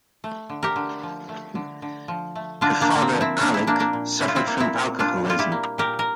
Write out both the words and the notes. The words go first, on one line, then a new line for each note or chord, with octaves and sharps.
Her father, Alick, suffered from alcoholism.
A3
D3
G4 A#4
D3
F3
A3
D3
D3
F3
A3
D3 D4 F4
A#3 D4
D3
A#3
C4
F3
C4 E4
A#3 D4
E4
A#2 A#3 D4
A#3 D4
A#2
G3 E4
F4
C4 E4
A#3
C4 E4
A#2
A#2 D4 F4
G3 F4
E4 G4
A#3
A#2 G4 A#4
A#4